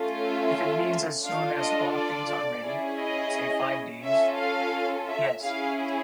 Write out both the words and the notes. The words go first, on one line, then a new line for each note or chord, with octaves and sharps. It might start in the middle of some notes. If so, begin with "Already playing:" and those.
If it means as soon as all things are ready, say five days, yes.
Already playing: A3 C#4 F4 A4
E5
D4 F4 A4 F5
D#5
D5
C#4 E4 G#4
D#5
C#4 F4 A4 E5
F5
E5
C#4 E4 G#4 F5